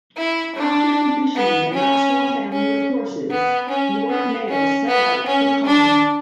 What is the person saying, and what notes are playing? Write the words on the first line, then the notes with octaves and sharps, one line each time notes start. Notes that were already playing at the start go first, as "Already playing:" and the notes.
After provisioning the Maxwell family with horses, Lord Mayo set out for Cong.
E4
D4
B3
C#4
C#4
B3
C#4
B3
C#4
B3
C#4
D4